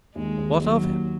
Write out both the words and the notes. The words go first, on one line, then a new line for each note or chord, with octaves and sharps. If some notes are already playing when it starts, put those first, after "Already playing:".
"What of him?"
D#2 G#3
D#2
D#2 F#3
D#2